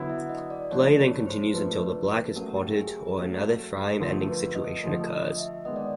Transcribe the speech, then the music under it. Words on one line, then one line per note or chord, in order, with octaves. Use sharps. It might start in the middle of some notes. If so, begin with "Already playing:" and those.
Play then continues until the black is potted or another frame-ending situation occurs.
Already playing: D3 F#3 B3 E4
E5
D#5
D5
F3 A3 D4 C#5
C#5
C5
F3 A3 D4 B4
F#3 A3 C#4 A#4
G4
G#4
F#3 A3 C#4 A4
D3 F3 A3 A#4
B4
D#5
D3 F3 A3 D#5
D#5
E5
D#3 G#3 B3 D#5
D5